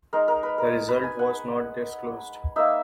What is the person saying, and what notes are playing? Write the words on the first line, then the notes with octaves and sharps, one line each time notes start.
The result was not disclosed.
G#3 D#4 A#4
A#4
B4
A#4
B4
G#5
F#5
A#3 D#4 E5